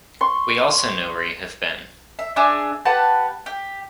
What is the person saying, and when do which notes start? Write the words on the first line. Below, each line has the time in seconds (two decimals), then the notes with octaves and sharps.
We also know where you have been.
0.21 C6 C#6
2.19 E5
2.36 D4 G#4 E5 D6
2.85 G4 B4 F#5 A5
3.46 G4